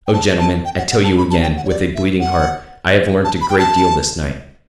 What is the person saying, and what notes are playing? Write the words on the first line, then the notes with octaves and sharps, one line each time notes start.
Oh, gentlemen, I tell you again, with a bleeding heart, I have learnt a great deal this night.
G5
A5
A5
G5
F#5
F#5
A5
B5
A5
G5
F#5
C#5
D5
E5
F#5
A5
B5
G5
A5